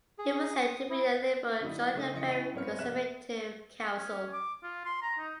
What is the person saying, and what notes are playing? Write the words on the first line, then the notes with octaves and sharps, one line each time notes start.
He was said to be a liberal joining a very conservative council.
G#4
D#6
E4
D3 F#3 D#4 E4
C#3 A3 D#4
C#3 E3 D#5 C#7
C#4 E4 D#7
G2 B3 C4 C#5 F6 C#7
F1 E5 F#6 E7
C#4
D6
F4
C6
A#5
D#4